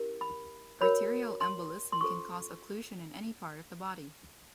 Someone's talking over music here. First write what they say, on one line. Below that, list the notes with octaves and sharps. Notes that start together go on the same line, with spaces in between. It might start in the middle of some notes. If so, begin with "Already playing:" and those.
Arterial embolism can cause occlusion in any part of the body.
Already playing: C#4 E4 G4 A#4
B5
F#4 A#4 C#5 B5
C6
C6
C#4 F4 A4 C5 C#6